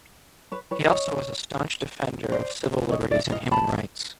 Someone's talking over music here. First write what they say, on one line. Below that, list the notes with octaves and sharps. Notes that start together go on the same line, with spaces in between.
He also was a staunch defender of civil liberties and human rights.
B4 C#5
B4 C#5
C#5 D#5
C5 D5
C#5 D#5
D5 E5
D#5 F5
A5 B5